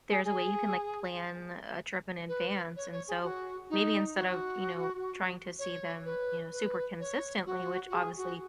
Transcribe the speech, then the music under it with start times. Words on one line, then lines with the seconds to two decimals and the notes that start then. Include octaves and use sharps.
there's a way you can, like, plan a trip in advance, and so maybe instead of, you know, trying to see them, you know, super consistently, which obviously
0.10 G#4
0.24 G#4
2.28 B4
2.76 C#5
2.92 C#5
3.08 G#4
3.23 F#4
3.70 D#4
4.17 F#4
5.59 C#5
6.05 B4
6.52 B4
7.00 C#5
7.46 F#4
7.89 F#4
7.94 G#4
8.17 F#4